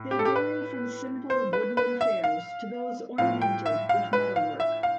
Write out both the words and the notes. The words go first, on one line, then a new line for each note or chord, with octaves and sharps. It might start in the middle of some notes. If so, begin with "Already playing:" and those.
They vary from simple, wooden affairs, to those ornamented with metalwork.
Already playing: A2
G4
A4
G4
B4
C5
B4
B4
E5
F5
A2 F3 F5
G5
E5
F5
B4
F5
E5
F5